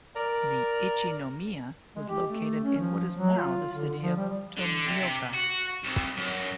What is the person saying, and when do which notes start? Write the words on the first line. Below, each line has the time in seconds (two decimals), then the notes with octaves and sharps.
The "ichinomiya" was located in what is now the city of Tomioka.
0.15 A#4 D5 A#5
1.96 G#3
2.08 G4
2.26 A3
2.64 C#4
2.77 F3
3.15 F#3
3.37 F4
3.73 D3
4.02 F3
4.16 G3
4.57 D3
4.86 C3
5.33 F#4
5.84 C2
6.17 F#2